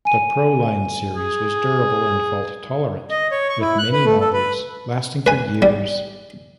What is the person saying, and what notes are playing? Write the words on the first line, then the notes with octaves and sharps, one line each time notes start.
The Pro-Line series was durable and fault-tolerant, with many models lasting for years.
G#5 D#7
G#4
D#5
C#5
C#6
E4
F#6
B4
A3
A4
B4
B4 G#5
G3